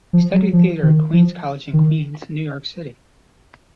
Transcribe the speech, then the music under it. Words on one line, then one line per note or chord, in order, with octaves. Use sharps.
He studied theater at Queens College in Queens, New York City.
F3
F#3
F3
D#3
F3
D#3